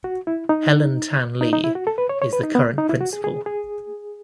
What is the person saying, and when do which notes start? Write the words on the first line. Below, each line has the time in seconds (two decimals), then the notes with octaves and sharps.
Helen Tan-Lee is the current principal.
0.04 F#4
0.27 E4
0.49 D#4
1.41 D#4
1.53 D#4
1.64 E4
1.75 F#4
1.87 A4
1.98 B4
2.09 C#5
2.22 C#5
2.33 B4
2.43 D#4
2.55 B3
2.78 D#4
2.89 E4
3.01 F#4
3.13 G#4
3.24 G#4
3.46 G#4